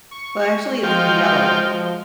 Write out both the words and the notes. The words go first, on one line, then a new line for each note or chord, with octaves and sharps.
Well, actually, it's yellow.
C#6
F3 G#3 F4 F#4 G5